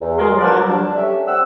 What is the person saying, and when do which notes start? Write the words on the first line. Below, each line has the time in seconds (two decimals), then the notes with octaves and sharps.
Oh, wow.
0.01 E2
0.17 F#4 G#4 A#4 C6
0.39 D4 F#4 A#4 B4 D5
0.68 D4
0.96 A3 C#4 G4 E5
1.28 C4 F#5 E6